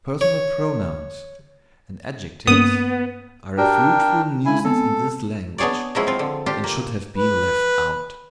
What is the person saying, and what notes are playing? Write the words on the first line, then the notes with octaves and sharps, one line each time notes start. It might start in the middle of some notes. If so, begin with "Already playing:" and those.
Personal pronouns and adjectives are a fruitful nuisance in this language, and should have been left out.
C#5
G2 A#3 B3 C#4 D#6
D4 F#4 G4 A#4 D5 G5
G#3 C#4 E4 G#5
B3 C4 A4 G#5
B3 D4 G#4 C#5 D5
B2 F3 F#3 G#3 E4 F4
C4 F4
D3
D4 F4 G4
A#3
B4